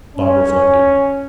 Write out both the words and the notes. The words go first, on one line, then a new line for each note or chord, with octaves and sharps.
Bob reflected.
C#4